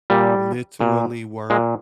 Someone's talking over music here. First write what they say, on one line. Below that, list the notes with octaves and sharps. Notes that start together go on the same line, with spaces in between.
literally work
A#2 G3
A#2
A#2 G#3